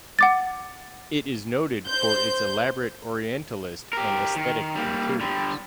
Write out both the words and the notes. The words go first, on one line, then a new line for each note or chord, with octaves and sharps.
It is noted for its elaborate Orientalist and aesthetic interiors.
F#5 D6 A6
C5 G6
G4 A#4
D#3
G3 A#3
D3 G3